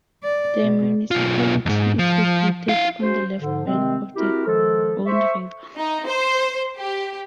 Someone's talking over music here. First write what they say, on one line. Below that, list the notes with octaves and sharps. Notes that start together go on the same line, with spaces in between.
The municipality is located on the left bank of the Rhone river.
D5
B2
B1 F4
F2 G#2
F3
E4 F5
C#4 F#4 C5
G#2 D3 F3
C3 D#3 G3 G#3 C4
C4 E4 F#4 G4 A#4
D#3 F3 G#3 A4
C5 E5 C#6
D#4
C5
G4